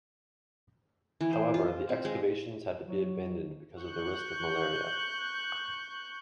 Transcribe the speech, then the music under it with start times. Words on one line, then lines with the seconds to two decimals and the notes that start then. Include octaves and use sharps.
However, the excavations had to be abandoned because of the risk of malaria.
1.21 E3
1.33 C5
1.54 F4
1.89 C4
2.05 G#3
2.85 F#3
3.81 C#6 F#6 G6